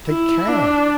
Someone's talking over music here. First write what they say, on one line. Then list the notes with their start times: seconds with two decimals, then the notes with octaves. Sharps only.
Take care!
0.08 E4
0.48 D4